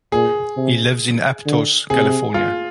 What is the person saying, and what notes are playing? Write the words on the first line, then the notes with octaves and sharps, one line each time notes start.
He lives in Aptos, California.
A#2 G#4
C3
D3
C3 G#4
F4